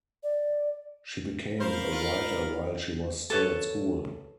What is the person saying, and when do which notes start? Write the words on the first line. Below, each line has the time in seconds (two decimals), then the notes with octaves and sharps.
She became a writer while she was still at school.
0.23 D5
1.60 A#4 C5 F5 B5
1.92 F4
3.30 A4 B4 C#5